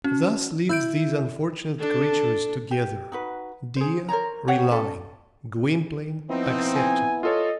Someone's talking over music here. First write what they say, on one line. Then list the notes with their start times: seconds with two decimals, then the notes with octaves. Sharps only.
Thus lived these unfortunate creatures together--Dea, relying; Gwynplaine, accepted.
0.04 C#4 F#4
0.69 E4 E6 G6 D7
1.78 D4 A4
2.71 G4
3.12 D#4 F#4 B4
3.76 G#4 C5
4.09 A#4 C5 C#5 A#5
4.48 F#4 G4 C#5 F#5
4.71 C#4 A4
6.29 F3 B3 C4 D#4 E4
6.75 G#5
7.23 F4 A4 C#5 D#5